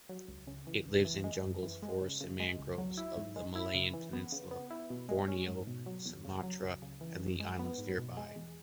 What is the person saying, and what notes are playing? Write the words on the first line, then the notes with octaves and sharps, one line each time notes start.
It lives in jungles, forests and mangroves of the Malayan Peninsula, Borneo, Sumatra and the islands nearby.
F#3
C#2
C#3
E3
C#2
E3
G#3
F#2
E3
G#3
C#3
C#3
G#3
C#2
F#3
E4
G#2
G#3
E4
C#3
E3
B3
C#3
B3
E4
B2
G#3
C#4
G#2
B2
F#3
E2
C#3
F#3
C#2
C#3
E3
F#2
G#3
B3
G#2
B2
G#3
E2